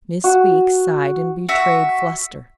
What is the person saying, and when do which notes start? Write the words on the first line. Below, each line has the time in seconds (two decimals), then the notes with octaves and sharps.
Miss Weeks sighed and betrayed fluster.
0.24 F#4
1.49 F#4 E5